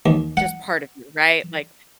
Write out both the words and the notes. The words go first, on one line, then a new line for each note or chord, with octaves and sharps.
just part of you, right, like,
D#2
F#5